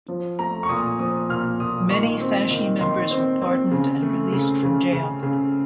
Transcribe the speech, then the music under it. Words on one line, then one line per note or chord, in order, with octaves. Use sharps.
Many Fasci members were pardoned and released from jail.
F3
A3 A#5
C#6
A#2 D#6
F3 D#6
A#2 F6
A#2 D#6
D#3 C#6
C4
D#3
D#3 C6
C4
C4
C#3
A3
C#3
C#3
C#3
C#3